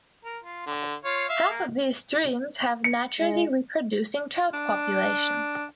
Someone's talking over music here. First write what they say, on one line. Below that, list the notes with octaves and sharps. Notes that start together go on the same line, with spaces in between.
Half of these streams have naturally reproducing trout populations.
A#4
F4
D3
F4 C#5 F5
E5 F5
A#3
C#7
G#3
D4